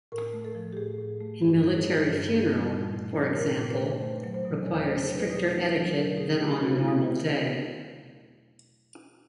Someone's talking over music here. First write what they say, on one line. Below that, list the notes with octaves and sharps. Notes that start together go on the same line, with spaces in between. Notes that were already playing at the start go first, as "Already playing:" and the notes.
A military funeral, for example, requires stricter etiquette than on a normal day.
A2 A#4
A3
A4
F3
G4
A2 G#4
A2
A3
G2 G4
G3
G#4
E3
G2 A4
G2
G3
A#2
A3
F3
A#2 A#4
A#2
B4
A3
A3 C5
F#3
C5
B2
E2 C#5
A3 C5
C5
F#3
B4
B2
A3
F#3
B2 A#4
B2 G#4
A3 G4
B2 F#4
E4
A3